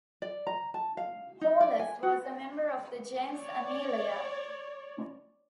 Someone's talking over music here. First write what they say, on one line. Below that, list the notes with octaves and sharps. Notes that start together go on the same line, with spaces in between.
Paullus was a member of the gens Aemilia.
D5
A#5
A5
F5
D#4
D5
G#5
F#4
C#5 D5